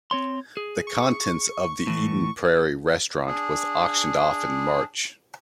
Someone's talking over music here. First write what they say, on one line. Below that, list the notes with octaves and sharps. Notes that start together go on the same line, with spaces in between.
The contents of the Eden Prairie restaurant was auctioned off in March.
C4 C#5 C6
G#4
C#6
A2 E3
D4 G#4